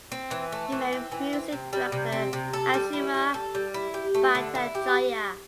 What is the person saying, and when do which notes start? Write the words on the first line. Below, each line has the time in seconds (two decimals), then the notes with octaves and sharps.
He married music director Ashima Bhattacharya.
0.12 C4
0.31 E3
0.52 A3
0.72 E3
0.92 C4
1.12 E3
1.33 C4
1.52 C3
1.73 G3
1.92 C3
2.12 C4
2.33 C3
2.53 A4
2.74 G3
2.93 E4
3.14 G3
3.34 A4
3.55 G3
3.74 E4
3.94 G4
4.14 A3
4.35 D3
4.55 E4
4.75 G4